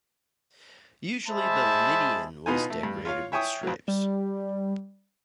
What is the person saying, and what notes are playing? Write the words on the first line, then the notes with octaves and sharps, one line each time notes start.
Usually, the "lydion" was decorated with stripes.
G#3 C5 E5 A5 B5
B2 B3 D#4 F4 G#5
A3
G2
F4 C#5 F5
C#5 E5 G5 G#5 C#6 D#6
F2 F#3
G3